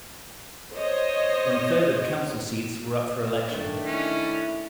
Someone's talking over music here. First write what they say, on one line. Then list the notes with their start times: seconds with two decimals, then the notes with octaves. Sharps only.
One third of the council seats were up for election.
0.73 C5 C#5 D#5
3.51 D#3 A3 D4
3.86 C#4 E4